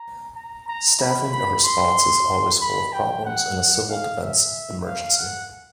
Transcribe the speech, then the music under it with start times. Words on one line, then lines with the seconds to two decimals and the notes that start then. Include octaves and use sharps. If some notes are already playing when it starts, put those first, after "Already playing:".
Staffing a response is always full of problems in a civil defense emergency.
Already playing: A#5
0.35 A#5
0.68 A#5
1.00 B5
1.33 B5
1.64 C6
2.61 B5
2.93 G5
3.25 F#5
3.89 F5
4.22 E5
4.86 F5
5.18 F#5